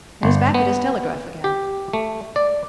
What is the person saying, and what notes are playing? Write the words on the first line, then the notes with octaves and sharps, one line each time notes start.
And he's back at his telegraph again.
G1
B3
G4
A3
D5